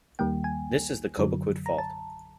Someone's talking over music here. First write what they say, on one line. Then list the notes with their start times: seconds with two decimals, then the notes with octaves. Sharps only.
This is the Cobequid Fault.
0.19 D#2 D#3 G3 A#3 G5
0.44 G#5
1.17 F#2 D3 F#3
1.66 A#5
1.78 A5